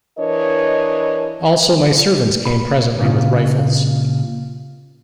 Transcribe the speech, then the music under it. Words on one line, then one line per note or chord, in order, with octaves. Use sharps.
Also my servants came presently with rifles.
E3 D4 A#4 C#5 D#5
B5
A#2 C#3 F4